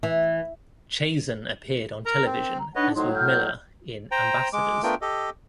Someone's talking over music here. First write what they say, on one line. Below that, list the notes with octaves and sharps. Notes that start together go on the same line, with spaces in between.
Chazen appeared on television as Ludmilla in "Ambassadors".
E3
A#4 A#5
C4 A#4
A#5
D4 D#4 B4 C#5 D#5 F#5
A2 F#3 D#4 C5 C6
F6 G6
C5 G5 A#5
G#3 D6
A3 B3 D4 F4 A#4 G5
G4 A4 D#5